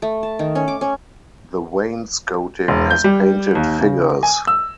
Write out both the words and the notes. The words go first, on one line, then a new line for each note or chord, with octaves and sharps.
The wainscoting has painted figures.
A3
A5
D#3
C#4
D6
C#4
E1
G6
G3
D#2
C#3
G#5
E6